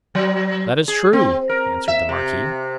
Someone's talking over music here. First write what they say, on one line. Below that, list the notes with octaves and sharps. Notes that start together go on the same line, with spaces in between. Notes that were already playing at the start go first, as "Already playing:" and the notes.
"That is true," answered the marquis.
F#3
G#4
C4
A#4
E5
C3